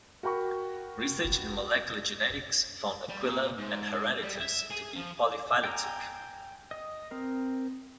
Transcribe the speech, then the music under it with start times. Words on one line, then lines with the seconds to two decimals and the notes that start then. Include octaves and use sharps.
Research in molecular genetics found "Aquila" and "Hieraaetus" to be polyphyletic.
0.23 F#4 A#4 G5 B5 C#6
3.09 G3
3.22 A#2
3.58 G#2
4.23 G3
4.40 E5
4.71 G#4
4.96 F3
5.64 G5 G#5 A#5
6.71 D#5
7.11 C4 A#4